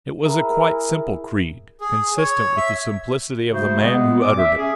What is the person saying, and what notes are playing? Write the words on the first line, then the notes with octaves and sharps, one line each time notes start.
It was a quite simple creed, consistent with the simplicity of the man who uttered it.
E4 G#4 A#4
G#4
C#5
E5
C#3 A3 F#4 C5
G#3 B3
A#2 D6
E5
C#4 G#4